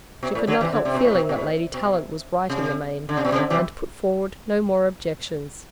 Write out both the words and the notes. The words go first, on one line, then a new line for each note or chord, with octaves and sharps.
She could not help feeling that Lady Tallant was right in the main, and put forward no more objections.
B2
A2
D3 F#3
C3 E3
D3
C3
B2
A2
B2
B2
A2
B2
C3
D3
C3
B2
C3
D3
C3 E3